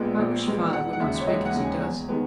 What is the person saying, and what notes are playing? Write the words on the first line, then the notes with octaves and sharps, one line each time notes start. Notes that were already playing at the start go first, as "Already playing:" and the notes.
'I wish father would not speak as he does.
Already playing: A#1 A#2 G#3 B3
A#1
A#2 G#3 B3
E1 F#5
F#5
D#2 C#3 E5
C#5
E1 D#5
F#5
D#2 C#3
G#5
E2 G#5
D#3 G#3 B3